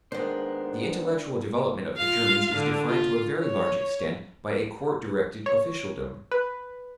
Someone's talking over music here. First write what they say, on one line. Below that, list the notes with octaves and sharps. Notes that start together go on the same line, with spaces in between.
The intellectual development of the Germans is defined to a very large extent by a court-directed officialdom.
D#3 G#3 B3 D4 C5
F4 F5
D3
F4
C#5
C#5
B4